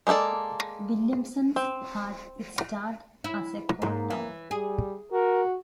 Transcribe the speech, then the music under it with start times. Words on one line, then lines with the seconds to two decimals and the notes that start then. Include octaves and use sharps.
Williamson had its start as a coal town.
0.07 G#3 A#3 D#4 A4 D5
1.56 C4
3.24 E4
3.82 G#2 A#3
4.10 E3
4.51 G3 G#4
5.12 F#4 A#4